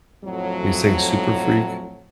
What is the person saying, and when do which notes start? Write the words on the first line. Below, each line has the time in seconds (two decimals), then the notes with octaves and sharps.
they sing Super Freak,
0.22 F2 A2 F#3